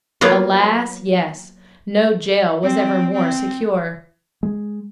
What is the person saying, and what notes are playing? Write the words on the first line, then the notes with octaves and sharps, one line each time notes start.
Alas! yes: no jail was ever more secure.
F#3 A#3 B3 F4 F#4
C4
C4
G#3